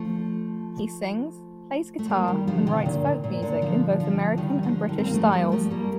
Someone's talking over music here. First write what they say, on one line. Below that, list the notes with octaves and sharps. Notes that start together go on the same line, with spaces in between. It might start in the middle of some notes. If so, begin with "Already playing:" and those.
He sings, plays guitar, and writes folk music in both American and British styles.
Already playing: F3 A3
A3
G3 A#3
D#3 G3
D3 F3
C3 D#3
A#2 D3
A#2
A#2 D3
D3 F3
D3 F3
D#3 G3
D3 F3
D#3 G3
C4
A#3
F3 A3
G3 A#3
F3 A3
G3 A#3